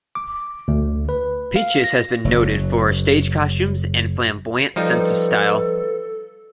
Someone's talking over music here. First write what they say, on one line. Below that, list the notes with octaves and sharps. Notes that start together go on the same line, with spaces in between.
Peaches has been noted for her stage costumes and flamboyant sense of style.
D6
D2
B4
F5
A#6
F#1 F#3
F3 G3 D#4 A4 B4